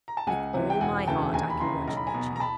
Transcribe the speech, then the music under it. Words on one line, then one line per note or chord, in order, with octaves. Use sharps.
With all my heart, I congratulate you.
A#5
A5
C#2 F#5 G#5
C3 E3
G5
E1 F#5 G#5
D2 C#3 E3 G5 A5
D#2 G#5 A#5
B5
C#3 E3 A#5 C6
B1 A#5
B5
G#5 A#5
B2
A#5
A5 B5